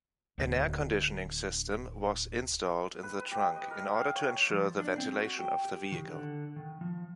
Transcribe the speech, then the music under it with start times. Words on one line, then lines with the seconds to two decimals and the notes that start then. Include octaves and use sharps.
An air conditioning system was installed in the trunk, in order to ensure the ventilation of the vehicle.
0.38 D1 D3
3.03 B4
3.18 B4
3.31 G4
3.56 D#5
3.71 A#4
3.95 F5
4.15 C#5
4.50 F3
4.80 D4
4.98 C4
5.13 F#4
5.39 G5
5.65 G4
5.92 D#3
6.08 D3
6.56 D#3
6.81 F3